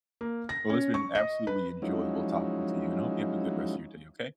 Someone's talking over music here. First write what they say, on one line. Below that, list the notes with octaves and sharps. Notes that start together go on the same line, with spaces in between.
Well, it's been absolutely enjoyable talking to you, and I hope you have a good rest of your day, okay?
A#3
A#6
C#4
C#6
D#5
B4
F3 F#3 G#3 C#4 D#4 E4